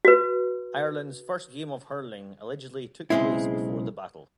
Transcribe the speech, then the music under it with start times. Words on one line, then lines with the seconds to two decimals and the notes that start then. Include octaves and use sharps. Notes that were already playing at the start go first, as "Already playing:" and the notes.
Ireland’s first game of hurling allegedly took place before the battle.
0.05 F#4 B4
3.10 B1 C#3 G#3 C4 E4